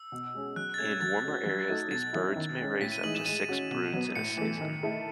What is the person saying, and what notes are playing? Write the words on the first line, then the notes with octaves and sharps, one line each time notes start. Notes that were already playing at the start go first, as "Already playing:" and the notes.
In warmer areas, these birds may raise up to six broods in a season.
Already playing: E6
B2
G#3 C#4 G#4
F#3 F#6
A6
A3 C#4 G#6
F#3 A6
A3 C#4 F#4
F#3
A3 D#4 F#4 A4
B2 A6
F#3 C#4 E4
D#3
G#3 C#4
A2 B6
D#7
E3 G#3 D#4 F#7
E7
G#3 D#7
C#4 F#4
B2
F#3 B3
A2 C#7
E3 A3
D#3
A3 E4 A4